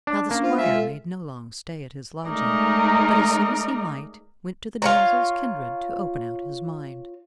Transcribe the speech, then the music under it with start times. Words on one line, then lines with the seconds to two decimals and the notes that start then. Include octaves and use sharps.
Now the squire made no long stay at his lodging, but as soon as he might, went to the damsel's kindred to open out his mind.
0.07 D4
0.31 A#3 C#4 D4
0.43 F4 C5
0.58 G#3 F4 E5
0.74 A4
2.28 G#3 A3 D#4 A#4 D5 D#5
4.82 F4 C#5 A#5